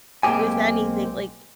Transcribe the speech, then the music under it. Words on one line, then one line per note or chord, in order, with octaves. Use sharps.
with anything like,
B1 G#3 A#3 C4 G4 G#5